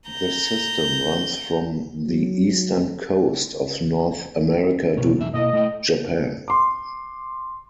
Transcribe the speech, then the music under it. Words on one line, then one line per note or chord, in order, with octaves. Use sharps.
The system runs from the eastern coast of North America to Japan.
A#5 G6
F#3
C#2 B2 C#5
B1 E2 E5
B2 A#3 E4 D#5
A3 E4 G5
C6 D6